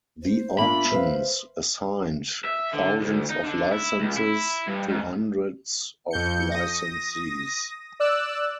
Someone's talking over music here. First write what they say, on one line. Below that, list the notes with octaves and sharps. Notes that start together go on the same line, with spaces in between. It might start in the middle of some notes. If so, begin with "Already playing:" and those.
The auctions assigned thousands of licenses to hundreds of licensees.
C5
A#3 D4 F4 E5 B5
B4 C5 F5
E5
D3
D2
D#4
D3
E4
C#2
E4
G2
G#2
F2 G6 C#7
D#6 A#6
D5 E6 F#6